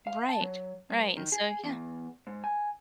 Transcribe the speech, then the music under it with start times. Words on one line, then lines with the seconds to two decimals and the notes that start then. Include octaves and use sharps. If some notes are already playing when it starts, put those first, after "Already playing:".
Right, right, and so, yeah.
0.07 F5
0.29 A5
0.41 F#3
0.91 G2
1.17 D#3
1.32 G#4
1.64 E2
2.27 G#2
2.44 G#5